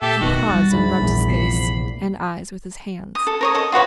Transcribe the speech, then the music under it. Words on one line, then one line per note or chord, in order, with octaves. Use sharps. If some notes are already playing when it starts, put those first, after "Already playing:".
He paused and rubbed his face and eyes with his hands.
A#2 G4 A4 E5
F#1 B1 D#3 B3 F#4
G3 A6
D2 G#2 B5
A#1 E2
C3 F3 C7
D#6
A4
A#4 C#5 D#6
A4 D#5 D#6
F4 F#4 B4 C#5